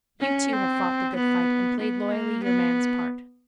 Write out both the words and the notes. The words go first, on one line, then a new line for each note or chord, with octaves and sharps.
You too have fought the good fight and played loyally your man's part.
C#4
C4
B3
B3
A#3
B3